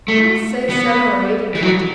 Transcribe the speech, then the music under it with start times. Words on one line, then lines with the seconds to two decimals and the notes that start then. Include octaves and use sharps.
I say, seven or eight and twenty.
0.08 A3
0.70 B3
1.55 E3
1.62 F#3